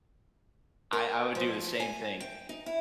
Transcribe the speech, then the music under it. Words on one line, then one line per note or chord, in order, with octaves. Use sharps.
I I would do the same thing.
A#4
F3
G#5
G5
D#4
E4